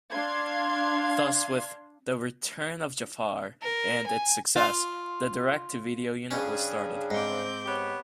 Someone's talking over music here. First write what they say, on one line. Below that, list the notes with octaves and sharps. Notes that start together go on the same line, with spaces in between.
Thus with "The Return of Jafar" and its success, the direct-to-video unit was started.
D4 F5 C6 G#6
A#4
G#5
F4
G2 C#3 C#4 D4 G#4
G#2 C4 D6 G6
B3 G4 C#5